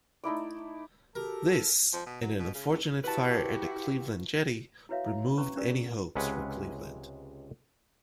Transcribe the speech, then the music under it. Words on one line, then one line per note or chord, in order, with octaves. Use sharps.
This, and an unfortunate fire at the Cleveland jetty, removed any hopes for Cleveland.
A3 D#4 E4 D5
F#4 G4 A4 A#4
F3
B2
F#3
B2
C#3
C#2
E4 F#4 G4 B4 A5
E4 F#4 B4 C#5 E5 F5
E4
C#4 B4 A#5 C#6
C#4 D4 G4 A#4 B4 D5
G#4
C#2 C3 G#3 C#4 B4 F#5